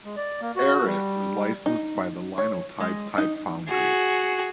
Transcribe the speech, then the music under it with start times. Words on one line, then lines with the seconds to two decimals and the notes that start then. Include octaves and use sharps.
Eras is licensed by the Linotype type foundry.
0.05 G#3
0.16 D5
0.41 A#3
0.56 F#4
0.86 G3
1.66 D#4
2.38 C#5
2.80 G#3
3.18 D#4
3.69 F#4 G#4